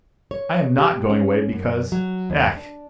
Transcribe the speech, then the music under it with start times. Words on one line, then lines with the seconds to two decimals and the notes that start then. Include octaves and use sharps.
I am not going away because ... ech!
0.31 C#5
0.78 G4
1.10 C#4
1.53 F#2
1.92 F#3
2.30 D#2
2.56 D4